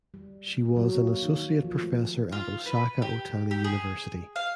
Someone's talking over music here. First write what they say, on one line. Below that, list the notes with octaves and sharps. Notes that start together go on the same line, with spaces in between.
She was an associate professor at Osaka Ohtani University.
G3
F#3
A#3
D#3
F3
A3
F4
B4
G4
G4
G#4
F5